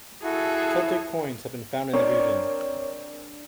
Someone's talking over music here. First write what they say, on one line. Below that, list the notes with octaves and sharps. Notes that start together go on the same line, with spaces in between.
Celtic coins have been found in the region.
E4 F#4 G#4 A4
G#3 C4 D4 A#4 C#5 D5